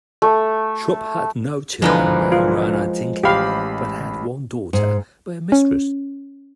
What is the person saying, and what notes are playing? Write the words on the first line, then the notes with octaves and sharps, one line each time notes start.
Schwab had no children by Eurana Dinkey, but had one daughter by a mistress.
A3
B1 D3 E3 F3 G#3 A#4 B4
F4
A1 G4 F5 B5 C7
G#2
C#4